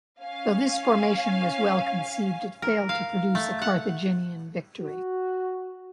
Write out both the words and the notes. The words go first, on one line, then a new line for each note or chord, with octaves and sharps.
Though this formation was well-conceived, it failed to produce a Carthaginian victory.
C#4 F5 G#5
A#4
F5
A3
F#5
F#4